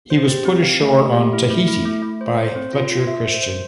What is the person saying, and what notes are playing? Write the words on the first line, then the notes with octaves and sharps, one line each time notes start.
He was put ashore on Tahiti by Fletcher Christian.
C5
G4
C4
F5
A3
G4
A3
E4
A3
E4
A3
A3
C5
C5
C4
F4
F4
E5
C5
C5